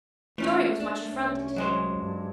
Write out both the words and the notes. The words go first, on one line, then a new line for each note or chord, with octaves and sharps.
Dorry was much affronted.
E3 A3 C#4 F4
D4
C2 C#4
F#3 G#3 C5
G2